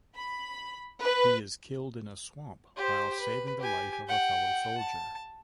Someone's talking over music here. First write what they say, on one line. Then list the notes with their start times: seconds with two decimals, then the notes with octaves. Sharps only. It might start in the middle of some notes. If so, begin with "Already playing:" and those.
He is killed in a swamp, while saving the life of a fellow soldier.
0.14 B5
1.01 B4
2.76 G4 C5
3.19 B4
3.59 G4 G#5
4.08 F#5 G5
4.78 A5